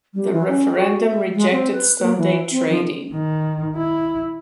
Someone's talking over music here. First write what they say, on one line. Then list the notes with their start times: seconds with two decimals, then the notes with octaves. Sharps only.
The referendum rejected Sunday trading.
0.14 G3
0.33 E3
0.47 C#4
0.76 F#4
1.02 E5
1.35 G#3
1.51 C4
1.72 B4
2.02 A#3
2.18 E3
2.51 C4
2.69 F3
3.13 D#3
3.76 E4